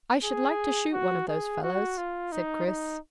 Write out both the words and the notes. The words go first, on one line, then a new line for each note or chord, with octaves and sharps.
"I should like to shoot one of those fellows," said Chris.
G#4
F#4
G#4
F#4
F4
D#4
D#4